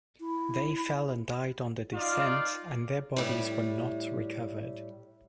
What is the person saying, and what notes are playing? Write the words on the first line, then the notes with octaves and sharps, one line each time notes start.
They fell and died on the descent, and their bodies were not recovered.
E4
D#4 F4 D5 F5
A2 G3